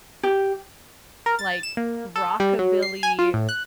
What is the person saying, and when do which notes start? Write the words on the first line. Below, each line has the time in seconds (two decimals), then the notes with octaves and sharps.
like, rockabilly
0.23 G4
1.26 A#4
1.39 A6
1.63 E7
1.77 A#3
2.16 A4
2.40 G3
2.59 F#3
2.83 C7
3.03 G#5
3.19 F4
3.34 A2
3.49 F#6